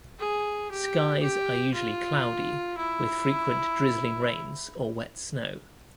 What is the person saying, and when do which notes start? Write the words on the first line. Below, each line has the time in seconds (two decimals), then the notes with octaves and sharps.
Skies are usually cloudy, with frequent drizzling rains or wet snow.
0.19 G#4
0.71 G4
1.22 G4
1.74 F4
2.77 E4